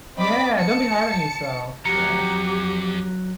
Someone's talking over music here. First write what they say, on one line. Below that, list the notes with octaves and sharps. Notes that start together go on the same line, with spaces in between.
Yeah, don't be hard on yourself, yes.
C4 D5 D#5 B5 D6 B6
A5 C#7
F2 F#3 G4 A#5 C#7